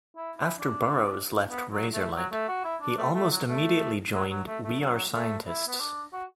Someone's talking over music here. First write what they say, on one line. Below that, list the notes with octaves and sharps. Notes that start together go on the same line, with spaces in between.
After Burrows left Razorlight, he almost immediately joined We Are Scientists.
E4
E4
D4
B3
F#3
A3
F#3
A3
F#4
E4
D4
A3
A3
F#3
A3
F#3
F#3
A3
A3
F#3
A3
E4
B3
D4
F#4